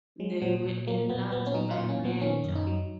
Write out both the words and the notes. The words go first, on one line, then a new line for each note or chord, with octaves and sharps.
They were enlarged by merger.
F#3 G#3
A#2 F#3
A#2
F#3 A#3
A#2 B3
A#2 B3
C#4
F#3 D#4
F4
A#2
C#4
A#2
B3
D#3 C#4
F#2
D#4
F#3